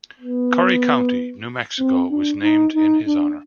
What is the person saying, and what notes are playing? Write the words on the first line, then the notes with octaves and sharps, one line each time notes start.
Curry County, New Mexico was named in his honor.
B3
C4
D4
D#4
D#4
D4